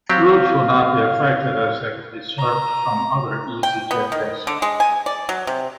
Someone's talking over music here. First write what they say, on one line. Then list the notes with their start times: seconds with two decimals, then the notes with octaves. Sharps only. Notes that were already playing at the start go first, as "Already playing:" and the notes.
Routes will not be affected as they will be served from other Easyjet bases.
0.09 F#3 C4 G4 F5
2.38 A#5
3.63 G5
3.91 B3
4.12 D#3
4.47 D3
4.62 G#3
4.80 G#5
5.06 D5
5.29 F#3
5.47 C3